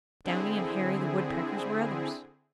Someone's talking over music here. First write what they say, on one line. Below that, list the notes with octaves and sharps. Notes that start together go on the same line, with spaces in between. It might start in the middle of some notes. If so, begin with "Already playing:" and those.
Downy and Hairy the Woodpeckers were others.
D3 C4 E4 G#4